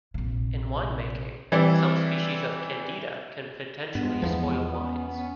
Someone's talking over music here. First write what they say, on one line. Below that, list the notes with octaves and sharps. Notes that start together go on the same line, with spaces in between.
In winemaking, some species of "Candida" can potentially spoil wines.
A#1 C3
E3 G3 C4 E4 D5
G2 G#3 B3
E2 F3
C#4
C#4